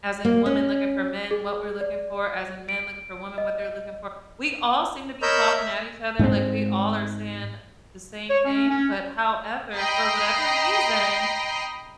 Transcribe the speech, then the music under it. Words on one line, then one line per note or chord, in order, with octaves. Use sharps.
as in women looking for men, what we're looking for, as in men looking for women, what they're looking for. We all seem to be talking at each other, like, we all are saying the same thing, but, however, for whatever reason,
A#3
C#4
G#4
D5
D7
D#5
A#4 C#5 D#5 B5 E6 G6
E5
G#2 G#3 A#3 C4
C#5
C#4
C#4
D#5 G5 A#5 B5 D#6 C7